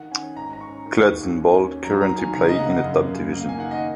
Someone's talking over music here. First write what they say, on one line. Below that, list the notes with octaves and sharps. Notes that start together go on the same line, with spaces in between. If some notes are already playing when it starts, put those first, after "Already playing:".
Clubs in Bold currently play in the top division.
Already playing: D#3 F#5
C#4 G#5
G#2 A#5
A#5
C#4 C#6
D#3
D#2
C#4
C#4
F#3 A#5
A#5
D#3
G#5
C#3 A#5
D#5
C#3 F#5
F#2
C#3
A#3
G#5
D#3 F#5
D#5